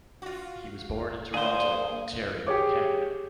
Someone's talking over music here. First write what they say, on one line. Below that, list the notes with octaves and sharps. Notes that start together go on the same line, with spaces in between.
He was born in Toronto, Ontario, Canada.
F4 F#4 F5
D3 A#3 G#4 C5 F5
G4 G#4 C#5 D6